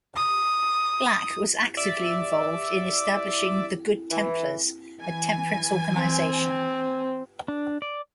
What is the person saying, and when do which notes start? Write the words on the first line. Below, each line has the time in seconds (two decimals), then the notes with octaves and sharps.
Black was actively involved in establishing the Good Templars, a temperance organization.
0.16 D#6
1.77 D5 E5
4.11 E3
5.01 E3 G#5
5.95 C4
7.48 D4
7.82 D5